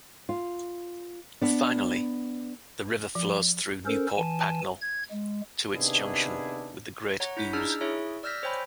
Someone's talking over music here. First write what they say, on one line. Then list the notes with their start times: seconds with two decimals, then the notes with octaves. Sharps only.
Finally, the river flows through Newport Pagnell to its junction with the Great Ouse.
0.29 F4
1.41 B3 D4
3.15 F3
3.86 C#4 A4 A#4 C5
4.17 E3 G#5 A5
4.81 G#6
5.11 G#3
5.72 C3 D#3 B3 D4 E4 G#4
7.20 C#5 F#5 A#5
7.37 E4 G6 B6
7.53 D4 D#4 G#4 A#5 E6 F6
7.81 E4 G#4 C#5 E5
8.23 D5 E6 F6 G6 A#6 B6
8.43 C5 C#5 G5 G#5 B5